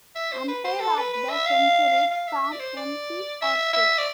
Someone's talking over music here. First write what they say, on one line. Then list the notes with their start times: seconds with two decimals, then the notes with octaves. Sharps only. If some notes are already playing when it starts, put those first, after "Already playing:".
Umpire of the Century: Tom McArthur.
0.15 E5
0.32 C5
0.48 B4
0.64 C5
0.80 A4
0.98 B4
1.13 B4
1.30 E5
1.46 F5
2.11 F5
2.27 E5
2.43 E5
2.52 D5
2.60 C5
2.77 D5
3.42 E5
3.73 E5
3.98 D5